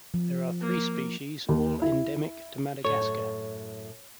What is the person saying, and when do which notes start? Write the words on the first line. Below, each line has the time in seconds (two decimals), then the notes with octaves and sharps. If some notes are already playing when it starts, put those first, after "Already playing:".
There are three species, all endemic to Madagascar.
0.14 F3
0.61 A#3
1.49 D#2
1.82 E4
2.85 F#2 A2 A4 C#5